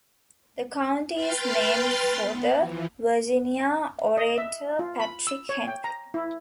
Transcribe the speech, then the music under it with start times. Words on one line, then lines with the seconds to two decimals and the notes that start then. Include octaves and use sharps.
The county is named for the Virginia orator Patrick Henry.
1.14 B4 G5 C6 F6 G6 A6
2.21 B3
2.57 E3 F3
4.17 D#5
4.38 E5
4.79 F4
5.00 B5
5.27 E6
5.49 C#5
5.67 G5
5.84 A#5
6.14 E4